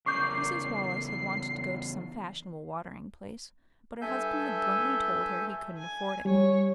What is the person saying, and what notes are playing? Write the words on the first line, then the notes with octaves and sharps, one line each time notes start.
Mrs. Wallace had wanted to go to some fashionable watering place, but her husband had bluntly told her he couldn't afford it.
E2 C#3 A#4 C#6 D6 G6 C7
G2 A4 E5 G#5 E6 G6
G#5
G3 C#5